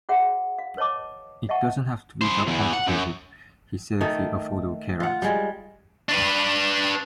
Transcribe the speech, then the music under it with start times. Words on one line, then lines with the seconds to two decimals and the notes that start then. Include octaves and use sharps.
It doesn't have to be that complicated, he said of the Affordable Care Act.
0.09 F#4 G#4 C#5 E5 F#5
0.59 F5
0.77 B4 C#5 D#5 A5 D6
1.49 D#5 E5 F#5 A5 C#6
2.22 E4 C5
2.47 E2 E3
2.73 F#5
2.87 F#2
4.01 D#3 A3
5.00 F4 F#5
5.22 G3 G#3
6.09 D4 B4